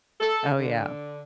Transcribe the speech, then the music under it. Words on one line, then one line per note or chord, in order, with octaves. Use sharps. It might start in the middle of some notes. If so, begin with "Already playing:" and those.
Oh, yeah.
A4
D3